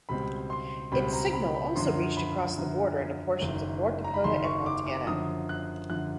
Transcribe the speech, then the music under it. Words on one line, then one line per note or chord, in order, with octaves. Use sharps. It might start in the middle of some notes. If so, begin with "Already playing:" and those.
Its signal also reached across the border into portions of North Dakota and Montana.
C#2 B2 G3 C4 B5
C6
C#2 B2 G3 C4 B5
A#5
B5
B5
F#2 D3 F3 C6
B5
F#2 D3 F3
F#1 F#2 D#3
A#5
B5
F#1 F#2 D#3 C6
C#6
D6
D6
F#2 D3 F3 D#6
F#6
F#2 D3 F3 F#6